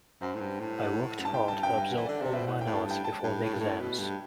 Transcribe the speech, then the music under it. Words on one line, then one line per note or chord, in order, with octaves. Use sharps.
I worked hard to absorb all of my notes before the exams.
F#2 C5
A2
G2
A2
F#5
F#2
G2 A5
A2 G5
G2 A5
F#2 G5
G2 G5
E3 F#5
D3 D5
C3 C5
B2 E5
A2 F#5
G5
A2
A5
G2
G5
A5
G2
A2
G2
A2
B2
G2